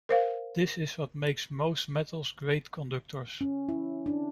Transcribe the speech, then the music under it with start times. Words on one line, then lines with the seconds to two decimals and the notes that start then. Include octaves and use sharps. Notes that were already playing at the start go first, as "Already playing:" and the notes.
This is what makes most metals great conductors.
0.09 A#4 C5 F5
3.41 C#4
3.69 E4
4.06 D4